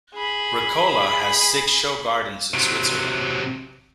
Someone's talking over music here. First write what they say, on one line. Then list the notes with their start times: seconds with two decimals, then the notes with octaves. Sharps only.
Ricola has six show gardens in Switzerland.
0.14 G#4 B5
2.54 C3 F#3